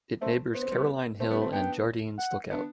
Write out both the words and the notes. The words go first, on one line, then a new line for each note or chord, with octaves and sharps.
It neighbours Caroline Hill and Jardine's Lookout.
A3 C4 E5
B3 C5
C4
G3 B3
A3 C4
G3 B3
A3 C4
B3 D4 G5
F#5
B3 D4